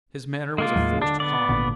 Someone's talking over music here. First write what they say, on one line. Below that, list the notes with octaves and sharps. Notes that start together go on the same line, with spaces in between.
His manner was a forced calm.
G#3 A#3 F4
D#2 A2 F#3
D3 D4
B3 D5
G#1 A#2 D3